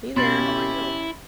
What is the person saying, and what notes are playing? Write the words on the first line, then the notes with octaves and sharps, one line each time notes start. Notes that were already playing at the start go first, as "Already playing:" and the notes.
Hey there, how are you?
B2 C#4 E4 G4 C6 A6 F#7